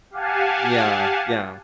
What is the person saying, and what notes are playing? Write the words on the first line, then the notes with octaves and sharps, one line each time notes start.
Yeah, yeah.
G4 F5 F#5 G#5 A5